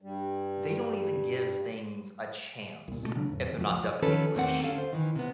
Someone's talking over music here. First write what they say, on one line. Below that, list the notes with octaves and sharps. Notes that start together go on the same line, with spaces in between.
they don't even give things a chance if they're not dubbed in English.
G2 G3
C2 A#2
B2 D#3 A3
C#3 F#3 D4
E2 A2
F2 E3
C#2 F#2 F3 F#3
D#3 F3 C#4 A4 B4
E2 D#3 A3 A#3 C4 F#5
D2 C#4 A4 F5
C5
D#3 E3
C3 B3